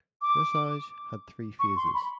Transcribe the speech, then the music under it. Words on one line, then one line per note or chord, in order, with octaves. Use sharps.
Dressage had three phases.
D6
C#6
C6
B5